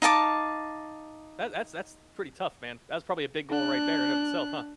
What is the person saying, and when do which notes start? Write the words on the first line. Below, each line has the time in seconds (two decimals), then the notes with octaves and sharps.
That that that's pretty tough, man. That's probably a big goal right there in of itself, huh.
0.02 D#4 F5 A5 D6
3.50 D4 F#6